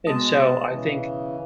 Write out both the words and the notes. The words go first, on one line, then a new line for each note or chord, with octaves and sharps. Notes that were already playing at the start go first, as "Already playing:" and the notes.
and so I think
B2 G#3 D#5 A5
C#3 E3